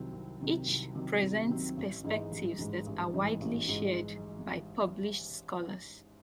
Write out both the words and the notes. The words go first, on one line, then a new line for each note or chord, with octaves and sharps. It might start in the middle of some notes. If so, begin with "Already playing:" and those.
Each presents perspectives that are widely shared by published scholars.
Already playing: C2 C3 D#3 F#3 C4
C2
C3 D#3 F#3 C4
C2
C3 D#3 F#3 C4
C2
C3 D#3 F#3 C4
A1
G#2 E3 G#3 D#4
A1
G#2 E3 G#3 D#4
A1
G#2 E3 G#3 D#4
A1
G#2 E3 G#3 D#4